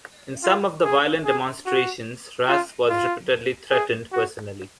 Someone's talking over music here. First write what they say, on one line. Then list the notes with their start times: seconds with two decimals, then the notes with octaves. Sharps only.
In some of the violent demonstrations Ras was repeatedly threatened personally.
0.43 F4
0.84 G#4
1.25 G#4
1.66 F#4
2.48 F4
2.89 F4
3.71 G#4
4.12 F#4